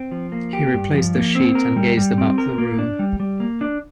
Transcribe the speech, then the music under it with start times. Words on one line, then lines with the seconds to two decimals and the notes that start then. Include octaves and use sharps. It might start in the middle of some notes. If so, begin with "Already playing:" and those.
He replaced the sheet and gazed about the room.
Already playing: C4
0.11 F3
0.32 A#3
0.53 G4
0.74 G2
0.94 F3
1.14 A#3
1.35 C4
1.55 A#4
1.76 G3
1.97 G3
2.18 C4
2.38 A#4
2.58 A#3
2.79 D4
2.99 G3
3.20 G3
3.40 A#3
3.61 D4